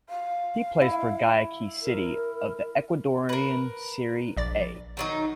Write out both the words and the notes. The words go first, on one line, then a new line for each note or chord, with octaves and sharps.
He plays for Guayaquil City of the Ecuadorian Serie A.
F5
E4
A#4
A#4 B4
A#1 D5 A6
D#3 F#3 D#4